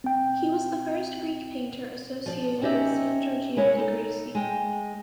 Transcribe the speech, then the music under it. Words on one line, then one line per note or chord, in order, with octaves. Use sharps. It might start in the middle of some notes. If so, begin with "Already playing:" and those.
He was the first Greek painter associated with San Giorgio dei Greci.
C4 G5
F3 D5
C4 C#4 D#4 G4 D5 E5
G#3 E4 C#5
D#4 A4
G#3 G5